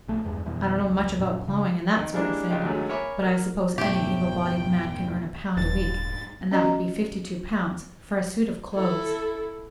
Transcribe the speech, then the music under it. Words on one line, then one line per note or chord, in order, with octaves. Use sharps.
I don't know much about plowing and that sort of thing, but I suppose any able-bodied man can earn a pound a week, and that would be fifty-two pounds for a suit of clothes.
A#1 A3
E2 G2 G#3
F2 B2 E3 G3
C#2
F#2 A#2
C#3
D#3 D#5
G3 G#3 A#3 D4 E4
A#1 C#3 F4 G4 D#5
D#2 D3 F#3 G#3 A3 G#4
A#4 C#5 E5 G#5 B5 D6
A#4
E1 G2 B2 A3 G4 G5
D#1 G#2 G3 A6
C#4 F#4 D#5 A#5
E4 A4